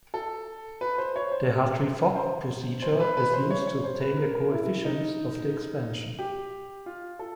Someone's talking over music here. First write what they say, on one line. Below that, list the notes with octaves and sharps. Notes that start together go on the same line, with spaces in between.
The Hartree-Fock procedure is used to obtain the coefficients of the expansion.
A4
B4
C5
C#5
C5
C5
C5
B4
B4
C5
C#5
C#5
C5
B4
A#4
E4
D#4
G4
F4
A4